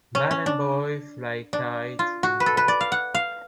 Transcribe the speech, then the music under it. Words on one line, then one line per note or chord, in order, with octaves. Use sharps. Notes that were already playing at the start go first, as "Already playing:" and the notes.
Man and boy fly kite in park.
C#4
C#4
D4
D4
F4
F#4
B4
A4
B4
D5
F5
F#5
F5